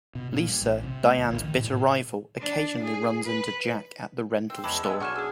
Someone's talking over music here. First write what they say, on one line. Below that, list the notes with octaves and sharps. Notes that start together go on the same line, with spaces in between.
Lisa, Diane's bitter rival, occasionally runs into Jack at the rental store.
B2
A#2
G2
A1
C3
A3
D2
A1
D#3
A2
A2
D4
G#4
B4
C4 E6
E2 G#3 C#4 A5 B5 D6 E6
G#3 B3
B1 C#3 D4 F#5 G#5 C#6 F6 E7
G#4 D6 E6